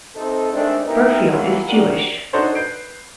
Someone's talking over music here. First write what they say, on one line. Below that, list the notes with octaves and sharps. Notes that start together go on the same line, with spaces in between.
Berfield is Jewish.
C3 C4 D#4 A4
D#3 G#3 A3 C4 D4
B3 D#4 E4 G4 A#4
B2 E3 F#3 A#3 F4 F#4
G#3 D4 F#4 G4 A#4 D5
D4 D#4 F#4 A4 C5 C#5
B4 G6 C7 D7